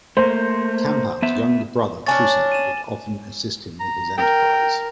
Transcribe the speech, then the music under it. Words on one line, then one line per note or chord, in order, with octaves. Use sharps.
Campau's younger brother Touissant would often assist him with his enterprise.
A3 A#3 C5
B3 E5
C#4 D4 C#5 G#5 A6
D#7 E7
A#5
A#4 G5